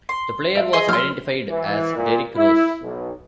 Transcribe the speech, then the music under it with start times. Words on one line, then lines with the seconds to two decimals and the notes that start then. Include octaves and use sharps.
The player was identified as Derrick Rose.
0.09 C6
0.55 E5 D7
0.73 G#4 D#5 C6
0.89 F#3 C6 E6 F6
1.48 E3
1.96 A#2
2.35 E4
2.83 B1